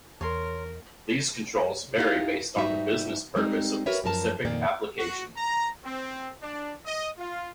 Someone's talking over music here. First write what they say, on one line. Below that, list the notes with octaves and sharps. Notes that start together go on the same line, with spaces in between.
These controls vary based on the business purpose of the specific application.
E2 A#4 C#5 C6
D#4 E4 G4 D5 F5
G#2 G3 D#4 F#4 B4 E5
G3 G#3 C4 D#4
F#4 A#4 B4 C#5 E5
F#2 F3 A#4 A5
F2 A#2 D#3 A#3 D5
F#4
A#5
C4
D4
D#5
F4